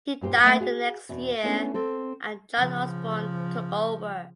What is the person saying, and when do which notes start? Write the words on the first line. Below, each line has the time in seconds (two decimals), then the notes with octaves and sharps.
He died the next year and John Osborn took over.
0.21 G2 A#2 G4 C5
0.42 A3 A#3 G5
0.60 F#4 G#4 F5
1.09 E2 B2
1.44 A3 B3 C#4 D4 E4
1.74 C4 A4
2.57 C#3 F3